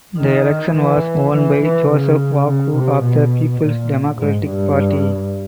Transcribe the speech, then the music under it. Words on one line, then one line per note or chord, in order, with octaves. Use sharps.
The election was won by Joseph Waku of the Peoples Democratic Party.
D#3
E3
E3
E3
C#3
C#3
C3
B2
A#2
G#2
G2